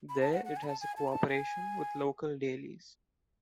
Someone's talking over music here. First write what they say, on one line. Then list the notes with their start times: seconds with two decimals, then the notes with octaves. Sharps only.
There it has a cooperation with local dailies.
0.09 B5
0.21 A5
0.33 F#5
0.45 F#5
0.56 G#5
0.63 B5
0.68 A5
0.81 G#5
0.97 A5
1.08 B5
1.12 A5
1.29 G#5